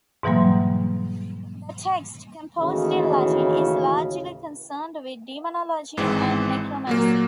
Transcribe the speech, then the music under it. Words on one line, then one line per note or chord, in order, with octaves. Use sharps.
The text, composed in Latin, is largely concerned with demonology and necromancy.
G#2 B2 E3 F#3 G3 A#3
D#2 A2 C#3 E3 F#4
G#1 G#2 E3 C4
A#2 F#3 A#3